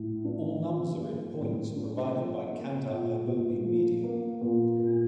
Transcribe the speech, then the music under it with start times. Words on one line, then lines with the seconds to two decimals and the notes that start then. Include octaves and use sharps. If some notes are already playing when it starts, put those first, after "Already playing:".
All numbers are in points and provided by Kantar Ibope Media.
Already playing: A2
0.25 D4
0.63 F3
1.01 A#3
1.38 A2
1.76 D4
2.14 F3
2.52 A#3
2.89 A#2
3.28 A#2
3.65 F3
4.03 A#3
4.41 A#2
4.79 A#2